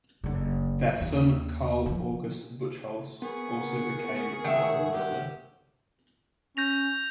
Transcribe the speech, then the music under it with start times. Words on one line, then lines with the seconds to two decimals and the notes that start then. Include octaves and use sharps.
Their son Carl August Buchholz also became an organ builder.
0.24 F#1 D3
1.00 D#2
1.86 D3 F3
3.22 B3 G#4 A#4 C#6
4.44 D#3 E5 F#5
4.92 G4
6.57 C#4 G6 A#6 F7